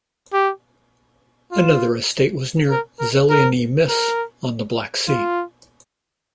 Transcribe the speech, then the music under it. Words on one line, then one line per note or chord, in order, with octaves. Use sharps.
Another estate was near Zelyony Myss on the Black Sea.
G4
F4
A#4
A#4
A#4
A#4
F4